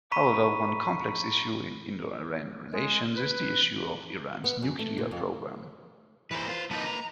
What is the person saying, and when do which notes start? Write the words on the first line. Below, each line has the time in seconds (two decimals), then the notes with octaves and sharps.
However, one complex issue in Indo-Iran relations is the issue of Iran's nuclear programme.
0.12 A#5 B5 C#6 B6 D#7
2.73 G#3
3.16 B4
4.44 B3
4.62 F#2
4.79 A3
4.98 A#2
5.11 F2
6.31 E3 A#3 B4 C5
6.49 F4
6.71 F3 A#3 D#4 B4
6.87 A#5